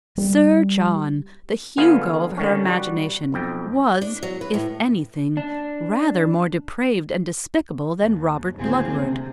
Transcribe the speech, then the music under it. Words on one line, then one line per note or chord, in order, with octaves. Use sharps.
Sir John, the Hugo of her imagination, was, if anything, rather more depraved and despicable than Robert Bludward.
G3
D3 A3 B3 F4 G#4 F5
D3 D#3 C#4
G3 F#4
B1 F2 G5
D4
F#3
B4
A2
D4
D#2
D2 A2 D#3 A#3 C4 G#4
C3